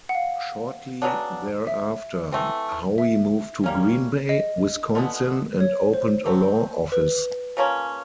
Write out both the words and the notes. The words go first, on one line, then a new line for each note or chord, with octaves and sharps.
Shortly thereafter, Howe moved to Green Bay, Wisconsin, and opened a law office.
F#5
F5
C#3 F#3 B3 D4
E5
E3 A3 C4
E5
G3 A#3 C#4
D#5
D3 F3 G#3 B3
C#5
C5
F#3 A3 C4
B4
C#3 F3 A#3 C#4